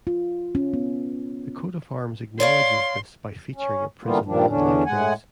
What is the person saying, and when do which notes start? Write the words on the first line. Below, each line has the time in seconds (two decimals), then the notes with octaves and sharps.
The coat of arms acknowledges this by featuring a prism and light rays.
0.07 F4
0.55 C#4
0.74 B3
2.40 C#5 D5 F5 C6
3.55 C#4
4.03 D3 E3 G3 A#3 B3 F4
4.26 G2 A#2 D#3 F3 G3 D4
4.47 E2 D3 C#4 D4
4.86 A2 G#3 F#5 G#5